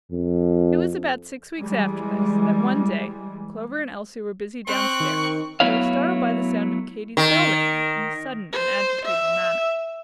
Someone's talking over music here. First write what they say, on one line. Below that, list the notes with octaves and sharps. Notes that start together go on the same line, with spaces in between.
It was about six weeks after this, that one day, Clover and Elsie were busy down stairs, they were startled by the sound of Katy's bell ringing in a sudden and agitated manner.
F2
E3 G3 G#3
C4 C#6 F#6
D#3
F#3 A3 B3 E4 C#5 F5
D#3
C5
E5